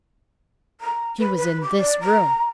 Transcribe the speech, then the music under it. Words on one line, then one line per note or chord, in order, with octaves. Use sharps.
She was in this room.
A#5
B4
B4
D6
D5
A#5